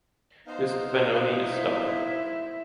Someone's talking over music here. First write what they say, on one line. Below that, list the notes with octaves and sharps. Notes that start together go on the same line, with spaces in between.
This Benoni is stubborn.
B3 D#4 C5 F5
E4